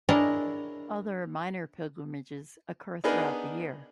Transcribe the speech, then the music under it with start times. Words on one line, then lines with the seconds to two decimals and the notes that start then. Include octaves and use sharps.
Other, minor pilgrimages occur throughout the year.
0.09 D4 E4 G#4 A#4 C#5 D#5
3.04 B3 D4 D#4 G#4 A#4 B4